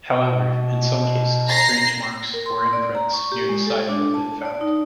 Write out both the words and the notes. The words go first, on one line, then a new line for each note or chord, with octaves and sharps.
However, in some cases, strange marks or imprints near the site have been found.
B2
A#5 A#6 C7
A#4
C6
D5
A#5
C#6
G4
G#3
A4
D4
A5
D5
D#4